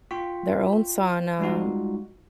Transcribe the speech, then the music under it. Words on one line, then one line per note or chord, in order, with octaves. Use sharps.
Their own sauna.
F4 G5 C#6 B6
G3 G#3 D#4 F4 F#4